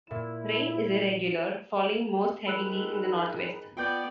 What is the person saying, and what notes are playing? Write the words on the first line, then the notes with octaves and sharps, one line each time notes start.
Rain is irregular, falling most heavily in the northwest.
A#2 E4 E7
G#2 D#3 B4 B5 E6 F#6
B3 F4 D5 G5 G6